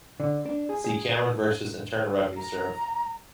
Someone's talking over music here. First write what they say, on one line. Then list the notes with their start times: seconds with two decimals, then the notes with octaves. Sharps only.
See Cameron versus Internal Revenue Serv.
0.20 D3
0.46 D4
0.69 G#4
0.84 G#4
2.37 A#5